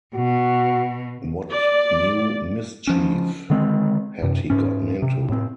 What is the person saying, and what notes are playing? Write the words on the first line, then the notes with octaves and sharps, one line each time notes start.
What new mischief had he gotten into?
B2 F#4
D5
F3 C#4
D3 D#3 G#3 C4
F#2 C3
G#2 C#4
C3
A2 C4